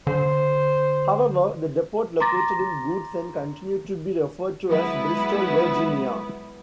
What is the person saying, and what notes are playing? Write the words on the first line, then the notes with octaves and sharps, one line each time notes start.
However, the depot located in Goodson continued to be referred to as Bristol, Virginia.
D3 C5
A#5 C6 D6 A6 A#6
F#3 G#3 B3 E4 B4